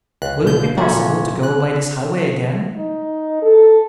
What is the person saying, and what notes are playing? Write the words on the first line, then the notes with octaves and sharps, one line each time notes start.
"Will it be possible to go by this highway again?"
C#2 F#6
B2 D3 G6
F#2 A#2 F3 A3 C#4 F#4
F#6
D#4
A4